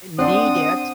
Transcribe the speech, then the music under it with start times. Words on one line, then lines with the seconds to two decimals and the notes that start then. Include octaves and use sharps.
need it
0.18 C4 D4 F#5 C6 D#6